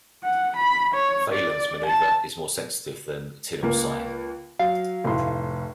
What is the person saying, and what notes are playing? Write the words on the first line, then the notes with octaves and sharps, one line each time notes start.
Phalen's maneuver is more sensitive than Tinel's sign.
F#5
B5
C#5
D5
A5
C#2 A#3
F#3 F5
F1 A2 C6